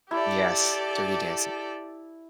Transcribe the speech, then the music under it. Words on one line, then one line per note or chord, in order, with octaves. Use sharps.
Yes. Dirty Dancing.
E4 G4 A4 D5